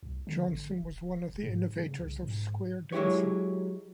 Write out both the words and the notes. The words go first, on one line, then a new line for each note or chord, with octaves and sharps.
Johnson was one of the innovators of square dancing.
C2
D3
G#1
D1
E1
G#2
C#3
C2
G#2
F#3 G#3 E4 G4 C#5